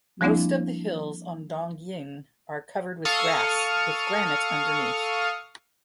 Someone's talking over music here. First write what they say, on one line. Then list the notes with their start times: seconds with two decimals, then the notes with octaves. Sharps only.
Most of the hills on Dongyin are covered with grass, with granite underneath.
0.21 F3 G3 A#3 C4 D4 E4
3.05 A4 F5 C#6 D#6 F6